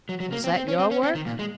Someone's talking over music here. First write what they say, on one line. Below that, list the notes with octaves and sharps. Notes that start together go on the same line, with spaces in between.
"Was that your work?"
F#3
F#3
A#3
C4
C4
C#4
C4
C#4
C4
D#3
A#2
G#3